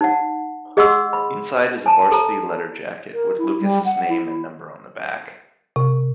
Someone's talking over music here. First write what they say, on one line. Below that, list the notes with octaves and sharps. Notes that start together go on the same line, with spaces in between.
Inside is a varsity letter jacket, with Lucas' name and number on the back.
D#4 F#5
G#4 D#5 F#5 C6 E6
B5
G#5 A5
A4 A#5
A#4
E4
G3
F#5
E4
C3